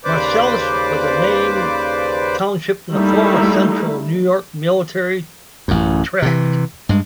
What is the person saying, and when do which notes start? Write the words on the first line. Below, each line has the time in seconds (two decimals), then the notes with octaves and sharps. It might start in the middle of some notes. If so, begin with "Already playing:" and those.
Marcellus was a named township in the former Central New York Military Tract.
0.05 D#2 C#3 B4 C5 D5 D6
2.95 G3 A3 A#3 D#4 E4
5.68 A1 F#2
6.22 C3 E3
6.89 G2 G#3